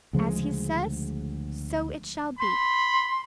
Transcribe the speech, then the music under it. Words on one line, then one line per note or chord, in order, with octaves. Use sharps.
As he says, so it shall be.
D2 C#3 F3 G#3
B5 C6